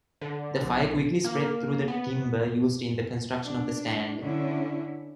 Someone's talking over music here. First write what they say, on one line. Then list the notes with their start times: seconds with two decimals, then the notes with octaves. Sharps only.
The fire quickly spread through the timber used in the construction of the stand.
0.21 D3
0.63 B1
1.24 A#3
1.88 B3
3.45 D4
4.20 D3 C#4 E4